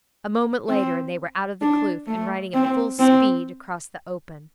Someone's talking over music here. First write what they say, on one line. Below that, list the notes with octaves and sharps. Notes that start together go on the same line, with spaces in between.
A moment later and they were out of the kloof, and riding at full speed across the open.
C4
D4
A3
C4
C4